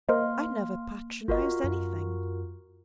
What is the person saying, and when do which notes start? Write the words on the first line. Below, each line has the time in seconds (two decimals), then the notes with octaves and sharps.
I never patronised anything.
0.09 A#3 A#4 C5 D#5 F5 C6 F6
1.28 G#1 F4 F#4 A#4 D#5
1.64 F#2